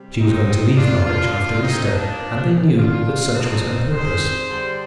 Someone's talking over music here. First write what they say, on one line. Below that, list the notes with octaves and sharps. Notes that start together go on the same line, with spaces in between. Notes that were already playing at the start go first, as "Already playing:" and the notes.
She was going to leave Norwich after Easter, and they knew that such was her purpose.
Already playing: C3 G3
C4 D#4
A#2 G3
D4 F4
D3 F3 D4 F4
A#2 G3 C4 D#4
A#3 D4
A#2 F3
D3 F3 D4 F4
D3 F3 C4 D#4
C3 D#3 G3 G#4 C5
D3 G3